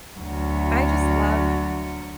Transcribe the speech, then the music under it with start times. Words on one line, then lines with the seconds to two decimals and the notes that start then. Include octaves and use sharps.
I just love
0.18 D2 F#3